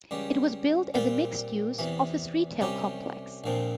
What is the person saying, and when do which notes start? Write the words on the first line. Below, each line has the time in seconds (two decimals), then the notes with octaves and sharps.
It was built as a mixed-use office-retail complex.
0.11 C#2 C#3 G3
0.94 A#2 G3 C4 F4
1.79 E2 C3 E3
2.61 C2 C3 G3 C#4 G4
3.44 A#1 A#2 F3 C4